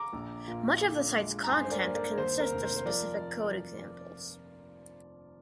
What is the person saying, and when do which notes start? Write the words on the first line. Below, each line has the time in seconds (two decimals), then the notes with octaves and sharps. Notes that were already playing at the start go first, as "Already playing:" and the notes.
Much of the site's content consists of specific code examples.
Already playing: A#5 D6
0.13 A#1
0.47 A#2
0.81 D3
1.16 G#3
1.44 A#5
1.49 G2 G#5 C6
1.64 C5
1.71 A#4 D5
1.84 A#3
1.95 A#4 D5
2.17 D#2 C5
2.40 A#4
2.52 F1
2.63 C5
2.76 C5
2.85 F3 A#4 D5